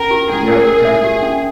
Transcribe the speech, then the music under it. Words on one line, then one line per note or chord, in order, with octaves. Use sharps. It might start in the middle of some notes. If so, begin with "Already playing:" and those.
Yeah, and
Already playing: C#4 A#4
G4
C#4 G#4
A#4
A#4
E5
G4
C#4